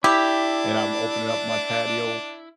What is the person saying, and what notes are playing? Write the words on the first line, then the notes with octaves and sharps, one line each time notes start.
and I'm opening up my patio,
D4 E4 G4